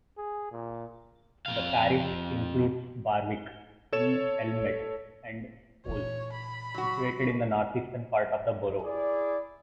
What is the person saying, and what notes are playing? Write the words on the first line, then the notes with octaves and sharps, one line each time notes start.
The parish includes Barwick-in-Elmet and Scholes, situated in the north-eastern part of the borough.
G#4
A#2
F2 F5
A4 C#5 E7
A#2 E3 C#5
B5
F#3 F#4
E4 G#4 D5